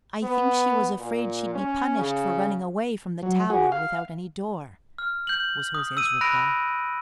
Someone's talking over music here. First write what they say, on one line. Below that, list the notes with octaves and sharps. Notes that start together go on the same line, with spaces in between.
"I think she was afraid she'd be punished for running away from the tower without any door," was Jose's reply.
B3
A#2
C#4
C#3
F#3
F#4 G#4
F5
F6
G6 F#7
D#6
E6 D#7
B5 F#6 A#6 D7